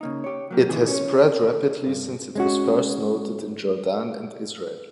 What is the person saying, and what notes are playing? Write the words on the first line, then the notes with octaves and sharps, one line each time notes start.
It has spread rapidly since it was first noted in Jordan and Israel.
C#3 A#3 D#4
G4 C#5
F#3 A#3 G4
C#2 A2 D#3 E3 G#4
C#4 C#5
G2
G#3 C#4 F#4